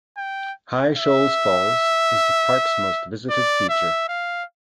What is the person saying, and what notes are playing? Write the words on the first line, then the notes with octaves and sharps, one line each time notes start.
High Shoals Falls is the park's most visited feature.
G5
E5
D5
E5
F5